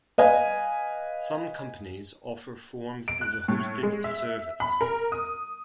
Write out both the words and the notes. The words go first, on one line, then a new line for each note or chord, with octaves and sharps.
Some companies offer forms as a hosted service.
B4 D#5 F5 G#5
D7
F#6
A2
G#3
E5
B5
A#4
D#6